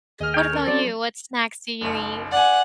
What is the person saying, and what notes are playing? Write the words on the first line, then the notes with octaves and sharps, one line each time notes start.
what about you, what snacks do you eat?
D#2 G#4 D#5 F6
G#4 C#5 G5
C#4 A4 A#4
F#3 C4 D5
F#1 B1
D5 F#5 G#5